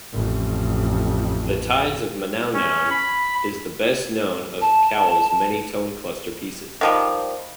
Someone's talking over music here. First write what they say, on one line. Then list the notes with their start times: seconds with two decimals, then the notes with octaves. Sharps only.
"The Tides of Manaunaun" is the best known of Cowell's many tone cluster pieces.
0.13 A1 F2
2.54 C#4
2.90 B5
4.61 A5
6.81 D#3 F3 G3